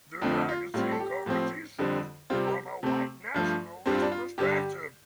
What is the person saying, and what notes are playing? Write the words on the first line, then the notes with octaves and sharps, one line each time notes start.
The magazine covers issues from a white nationalist perspective.
F2 D3 A3 C4 F4
F4
A2 G3 C4 F4
A4
G4
A2 F3 C4
F2 D3 G3 C4
C3 G3 C4 F4
G4
C3 A3 C4
G2 F3 A3
G2 G3 C4 D4
F4
D4
F4
G2 D3 G3 G4